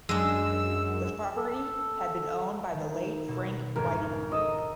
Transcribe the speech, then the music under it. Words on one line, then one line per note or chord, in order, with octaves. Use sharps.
This property had been owned by the late Frank Whiting.
F#2 G#3 D4 E6
A4
D#3
B2 A4
G#1 F2 G#2 A#4
A4 D#5 E6